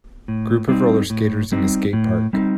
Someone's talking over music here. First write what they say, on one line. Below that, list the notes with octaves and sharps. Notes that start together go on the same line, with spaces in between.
Group of rollerskaters in a skate park.
A2
G3 C4 D#4
A2
G3 C4 D#4
A2
G3 C4 D#4